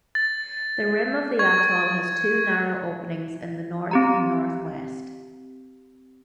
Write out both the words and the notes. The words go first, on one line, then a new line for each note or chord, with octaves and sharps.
The rim of the atoll has two narrow openings in the north and northwest.
A6
C#6 G#6
C4 G4 A#5